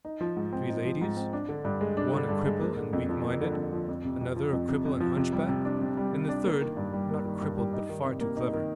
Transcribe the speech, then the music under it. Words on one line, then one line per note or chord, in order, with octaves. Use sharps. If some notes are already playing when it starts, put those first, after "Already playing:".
Three ladies, one a cripple and weak-minded, another a cripple and hunchback and the third not crippled but far too clever.
D#4
F3
G#2
C4
D#4
F3
G#2
C4
D4
D3
G2
G#3
D4
D3
G2
G#3
A#3
D3
F2
F3
A#3
D3
F2
F3
F2
C3
F2
F3
F2
C3
F2
F3
C3
G3
C3
D4
C3
G3
C3
D4
A#3
D#3
G2
G3
A#3
D#3
G2
G3
D#4
D#3
C3
A#3
D#4
D#3